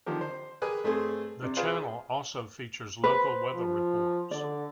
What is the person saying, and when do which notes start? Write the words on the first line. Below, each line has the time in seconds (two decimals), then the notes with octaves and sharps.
The channel also features local weather reports.
0.06 D3 D#3 F3 G4 A#4
0.21 C5
0.62 G4 G#4 A#4 B4 G#5 D#6
0.84 G2 A3 C4 G#4 C6
1.42 C3 D4
1.56 F4 G#4 B4 C5 F5
3.04 B4 C5
3.54 F3
4.31 D3 D5